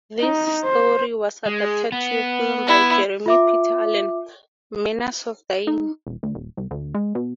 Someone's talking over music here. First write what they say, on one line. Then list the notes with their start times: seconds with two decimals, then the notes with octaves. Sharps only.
This story was adapted to a film by Jeremy Peter Allen, "Manners of Dying".
0.20 D#4
0.64 C5
1.46 G#3
1.92 B3
2.67 E4
3.26 F4 E5 D6
5.67 D#4
6.07 E1
6.23 D2
6.35 D#1
6.57 C2
6.71 D2
6.94 G#3
7.15 B2